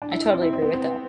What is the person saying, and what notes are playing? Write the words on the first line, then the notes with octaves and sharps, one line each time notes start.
I totally agree with that.
D4
E4
E4
C4
E4
C4
B3
C4